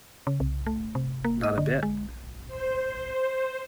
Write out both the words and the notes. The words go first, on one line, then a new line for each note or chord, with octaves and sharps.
Not a bit.
C#3
C2
A3
C3
A#3
D#5
D3
G#3
C5